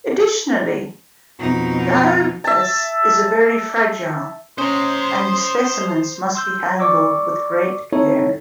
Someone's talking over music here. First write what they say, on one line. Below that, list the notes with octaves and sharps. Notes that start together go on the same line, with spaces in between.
Additionally, dioptase is very fragile and specimens must be handled with great care.
F2 B2 D#4
E5 A5
C#4 C5 A#5 C6 D#6
C6 E6 G6
D5 C#6 D6 E6
C4 D#4 E4 A4 C#5